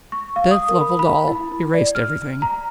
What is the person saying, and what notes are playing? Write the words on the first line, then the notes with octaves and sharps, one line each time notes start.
Death levelled all, erased everything.
C#6
F5
D#6
A#4
B5
B5
E4
D5
F6
A#5